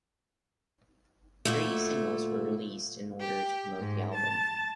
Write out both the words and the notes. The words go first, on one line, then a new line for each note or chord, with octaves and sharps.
Three singles were released in order to promote the album.
D2 A#2 A3
G4
G#2
A5